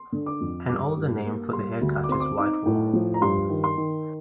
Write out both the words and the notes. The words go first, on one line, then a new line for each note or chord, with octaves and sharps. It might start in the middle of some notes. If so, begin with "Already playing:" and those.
An older name for the haircut is "whitewall".
Already playing: C6
D3
D6
F2
G2 D6
G2
A#3
G3 C6
D2
D6
C4 C6
D6
D#4 D6
A2
F3
A#5
G2 C6
D#3
C6
D#3